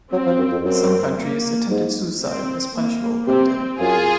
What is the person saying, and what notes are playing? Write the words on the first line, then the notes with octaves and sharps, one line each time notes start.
In some countries, attempted suicide is punishable by dead.
F#3 C4
F3
F#2
F2
F#2 C4
A#3
G#2
C4
A#3
C3 C4
F#2 F4 G#4